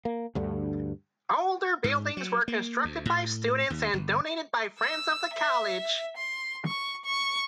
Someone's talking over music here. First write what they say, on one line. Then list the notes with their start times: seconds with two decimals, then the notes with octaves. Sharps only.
Older buildings were constructed by students and donated by friends of the College.
0.05 A#3
0.35 D2 G2 D3
1.84 G#2
2.17 F#3
2.48 A#3
2.85 D2
3.05 A2
3.70 D#2
3.93 G1
4.80 E6
5.35 E5
6.17 C6
6.66 C#6
7.05 C#6